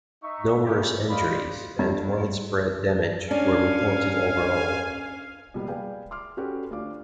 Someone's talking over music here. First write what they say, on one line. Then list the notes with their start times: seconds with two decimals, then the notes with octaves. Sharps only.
Numerous injuries and widespread damage were reported overall.
0.23 D#4 E5 C#6
0.66 G#3 A#3 C#4 D#4 E4 G4
1.10 C5 D5 D#5 F5 B5
1.79 G2
3.31 C#4 D4 F5 G#5
5.54 C#2 B2 F3 G3 A#3
5.68 G#4 B4 D5 F5 G5 G#5
6.11 C6 D6 F6
6.37 C#4 F#4 G4 A4 B4
6.71 D2 D4 F4 F5 D6